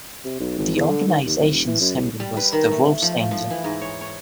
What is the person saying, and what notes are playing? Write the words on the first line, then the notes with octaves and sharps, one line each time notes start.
The organisation's symbol was the "Wolfsangel".
C3
B1
G#1
E2
D3
D#3
D#2
D1
E1
E3
F#2
C2
G3
B4
D#3
A3
F3
F3
E3
G#2
C#5
C#5